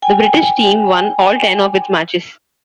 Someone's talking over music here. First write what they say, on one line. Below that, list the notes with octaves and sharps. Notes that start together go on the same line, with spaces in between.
The British team won all ten of its matches.
G5 G#5